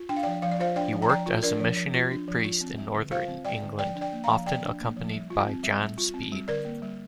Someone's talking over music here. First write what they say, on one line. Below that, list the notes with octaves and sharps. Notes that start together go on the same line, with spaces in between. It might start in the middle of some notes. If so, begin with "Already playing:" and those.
He worked as a missionary priest in Northern England, often accompanied by John Speed.
Already playing: F4
D4 G5
F5
D5 G5
F3
F3 F5
D5
F4 C5 F5
D4 D5 G5
F3
A#5
F3 D5 G5
F4
D4 A#4 D5
F3
F3
F4
D4
F3
F4
C4
G3
D3
F4 C5 F5
C4
G3 D5 G5
D3
F3 D5 G5
D4
D5 G5
A#3
F5 A#5
F3
F3 D5 G5
D4
A#3
F3
G3
F4
C4
G3
G3
F4
C4
G3
D3 A#4 D5
A#3
G3